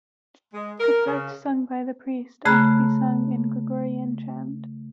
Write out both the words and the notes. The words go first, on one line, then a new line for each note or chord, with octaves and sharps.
The parts sung by the priest are to be sung in Gregorian chant.
G#3
A#4
C#3
C#3 A3 G#4 A#5 B5 F#6